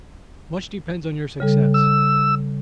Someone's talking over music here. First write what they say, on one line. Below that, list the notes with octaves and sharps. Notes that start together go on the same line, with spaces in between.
Much depends on your success.
C#3 G3 A4
E6